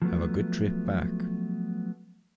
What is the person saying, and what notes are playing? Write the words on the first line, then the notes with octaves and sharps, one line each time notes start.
Have a good trip back.
F3 F#3 A3 B3